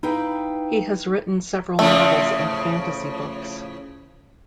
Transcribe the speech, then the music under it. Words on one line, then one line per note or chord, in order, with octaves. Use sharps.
He has written several novels and fantasy books.
D#4 E4 B4 F5 G5
A2 C#3 F3 A3